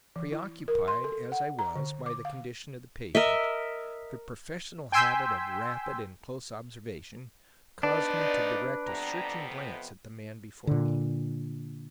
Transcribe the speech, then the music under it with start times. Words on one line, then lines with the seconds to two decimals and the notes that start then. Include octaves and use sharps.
Preoccupied as I was, by the condition of the patient, the professional habit of rapid and close observation caused me to direct a searching glance at the man before me.
0.16 E3
0.32 E4
0.68 A#4
0.88 C6
1.04 A4
1.32 F#5
1.59 A#5
1.76 D3
2.06 D6
2.25 F5
3.15 A#4 D#5 E5
4.92 G5 G#5 C6 E6 G6 B6
7.83 F3 B3 D4 D#4 B4 D5
8.87 F2 C3 B3 A#5
10.67 A#2 D3